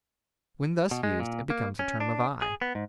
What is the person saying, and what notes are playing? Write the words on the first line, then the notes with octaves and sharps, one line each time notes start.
When thus used it becomes a term of eye.
B2
G#3
A#2
A#3
C#4
D4
G#4
B3
G#2